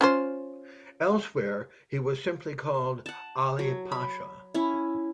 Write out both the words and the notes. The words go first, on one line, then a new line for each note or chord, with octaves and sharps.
Elsewhere he was simply called "Ali Pasha".
C#4 F4 C5
F#5 A5
F#3
B5
C#4 E4